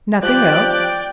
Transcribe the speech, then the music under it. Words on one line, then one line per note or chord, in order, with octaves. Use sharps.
"Nothing else?"
F3 G4 D5 G5 F#6